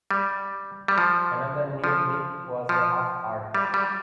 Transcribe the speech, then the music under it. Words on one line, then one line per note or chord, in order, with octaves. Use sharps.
Another new brick was a half arch.
G3
G3
F3
F3
F3
G3
G3